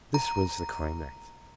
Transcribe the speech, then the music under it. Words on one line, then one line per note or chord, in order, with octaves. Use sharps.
This was the climax.
A#5